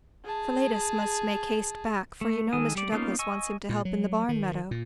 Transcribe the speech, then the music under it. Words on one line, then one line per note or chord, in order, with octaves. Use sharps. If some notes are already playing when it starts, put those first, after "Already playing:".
Philetus must make haste back, for you know Mr. Douglass wants him to help in the barn meadow.
G#4 A5
A3
D#3 G#3 A4 G#5 D#6
G3 D5
A#3 B3 C#4 D#4 F4
D#5 G#5 C#6 E6
A#2
F#3
D#3
A#2